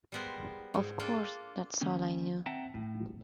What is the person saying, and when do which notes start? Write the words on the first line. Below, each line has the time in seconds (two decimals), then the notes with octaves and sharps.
Of course, that's all I knew.
0.12 G3 G#3 B3 A#4 C5
0.74 G#2
0.99 A#3 D4 F4 A4 G5 A5
1.81 D#3 G3 A#3 C#4 G4
2.46 C4 E5 F#5 G5 A5 A#5
2.74 A2